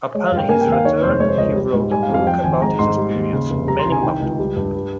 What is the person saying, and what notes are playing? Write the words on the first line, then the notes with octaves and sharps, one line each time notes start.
Upon his return, he wrote a book about his experiences, "Men in Battle".
G#3 C#5
F5
G2
G5
A#3 G#5
G5
D#2
F5
D#3 C#5
F1 C5
G#3 C#5
C5
C#2 D#5
G3
G#2
G3 G#5
F5
F2
F5
F3 G5
G#1 G#5
G#3 A#5
G#2 C6
G3
D#2
C#3
F1
G3 A#5
C6
C2
G#5
D#3 G5
C#2
G3
G2
G3